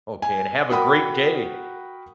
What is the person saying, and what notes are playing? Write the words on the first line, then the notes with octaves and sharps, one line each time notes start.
Okay, and have a great day.
G#5
F#4 A#4 F#5 G5 B5 D#6